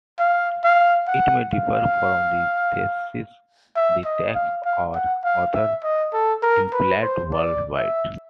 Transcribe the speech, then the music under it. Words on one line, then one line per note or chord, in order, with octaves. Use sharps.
It may differ from the thesis-the text's or author's implied worldview.
F5
F5
F#5
F5
E5
D#5
F5
F5
F#5
F5
E5
D#5
A4
A#4
B4
C5
D5
E5